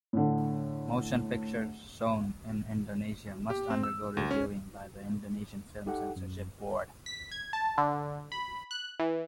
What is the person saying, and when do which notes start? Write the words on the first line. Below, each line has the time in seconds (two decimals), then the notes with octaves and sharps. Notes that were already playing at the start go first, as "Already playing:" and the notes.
Motion pictures shown in Indonesia must undergo reviewing by the Indonesian Film Censorship Board.
0.13 A2 D3
3.50 G4
3.70 C4
3.83 E6
4.17 D2
4.31 C#4
5.86 D#4 G4 A4 F#5
6.16 F#2
7.06 B6
7.31 G#6
7.53 A5
7.78 D3
8.32 B5
8.71 F#6
9.00 E3